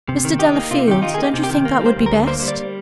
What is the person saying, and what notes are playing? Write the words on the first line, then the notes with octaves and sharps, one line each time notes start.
Mr. Delafield, don't you think that would be best?...
C3
D#3
D#4 G4
A#3
C3 F4
D#3 G4
D#4 F4
G#4
A#3 G4
C3
G4
D#3
A#3
G3
C5
D2
A#4
D3
A#3 C5
G3 C5
D5